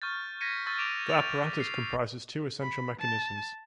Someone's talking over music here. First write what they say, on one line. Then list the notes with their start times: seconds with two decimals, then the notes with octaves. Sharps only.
The apparatus comprises two essential mechanisms.
0.02 C#6 F6 G6 A6
0.41 G#6 A#6 B6 C#7 D#7
0.66 C#6 E6 F6 G6 A6
0.78 D6 D7 E7 F7
1.09 A6 D#7 F7
1.60 C7
2.62 B5
3.00 A5